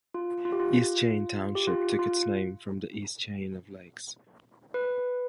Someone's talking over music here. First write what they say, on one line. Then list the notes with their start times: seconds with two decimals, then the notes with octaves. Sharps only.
East Chain Township took its name from the East Chain of lakes.
0.14 F4
0.45 F4
0.52 G4
0.60 F4
1.55 G4
1.67 F4
1.99 F4
4.74 B4